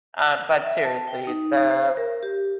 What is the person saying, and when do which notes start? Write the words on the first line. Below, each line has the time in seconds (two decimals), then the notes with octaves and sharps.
uh, but seriously, it's, uh,
0.62 E5
0.84 A5
1.08 G5
1.27 D#4
1.71 C5
1.97 A#4
2.23 G4